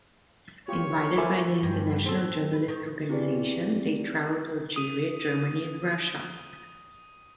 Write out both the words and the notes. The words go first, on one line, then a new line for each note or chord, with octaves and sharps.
Invited by the International Journalists Organization, they travelled to Algeria, Germany and Russia.
F4 G4 C#5
E4 A4 A#4 C5 E5 G#5 B5 D6
G2
C4 A4
B4
D#3
C4 E4 G4 G#4 B4 D5
D#6 D#7